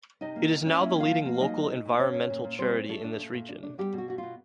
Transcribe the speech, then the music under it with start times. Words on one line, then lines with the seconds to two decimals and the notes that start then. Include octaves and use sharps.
It is now the leading local environmental charity in this region.
0.21 C3 D#4 D#5
0.36 A#3
0.51 A#3
0.66 C#4
0.81 A#3 E4 E5
0.96 F3 F4 F5
1.11 F3
1.25 A#3
1.40 F#3 D#4 D#5
1.55 F#3
1.70 A3
1.85 A#2
1.99 A#2 C#4 C#5
2.14 A#2
2.30 A#2
2.44 A#2
2.59 G3 C4 C5
2.74 A#2
2.89 A3 D4 A4
3.04 D4
3.19 A#2
3.33 A#2
3.49 D4
3.63 D4
3.78 G3 B3 G4
3.93 B2 F#4
4.08 B3 F#4
4.18 B2 F4